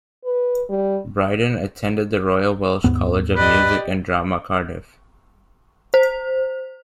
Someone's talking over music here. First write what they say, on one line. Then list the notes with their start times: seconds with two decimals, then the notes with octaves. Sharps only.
Brydon attended the Royal Welsh College of Music and Drama, Cardiff.
0.24 B4
0.69 G3
2.84 D#2 G#2 B3
3.36 G4 B4 D5 D#5
5.94 C5